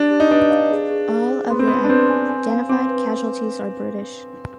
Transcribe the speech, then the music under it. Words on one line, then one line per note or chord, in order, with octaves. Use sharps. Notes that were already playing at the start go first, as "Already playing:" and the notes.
All of the identified casualties are British.
Already playing: D4 G4
G4
D#4
D4 B4
F5
G#4
G#4
G#4
C5
B3 C6
C4
B3 B4
D4
C4 B4
G#5
G#5
F5
C4 D6
B4